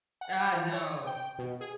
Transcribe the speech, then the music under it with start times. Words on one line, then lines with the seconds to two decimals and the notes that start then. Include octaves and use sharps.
Ah, no.
0.21 F#5
0.52 F3
0.73 C#5
1.07 G5
1.39 B2
1.61 G#4